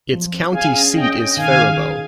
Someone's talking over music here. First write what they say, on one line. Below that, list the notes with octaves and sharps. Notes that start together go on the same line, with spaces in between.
Its county seat is Faribault.
F3
C4
G#4 F5 G#5
C#4
C#4 D#5 G5
C#4
D#3 F5 G#5
G#4